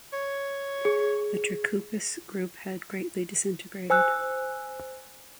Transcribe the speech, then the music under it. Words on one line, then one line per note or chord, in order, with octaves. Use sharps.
The Trikoupis Group had greatly disintegrated.
C#5
G#4
C5 G#5 E6 F#6